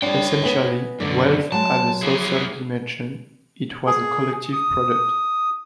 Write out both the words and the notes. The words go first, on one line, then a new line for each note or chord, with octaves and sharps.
Essentially, wealth had a social dimension; it was a collective product.
G3 D4 C#5 G5
B3 G#4 D#5
F#2 D3 D5
F#3 G#3 A5
E4 G#4
G#4
D#6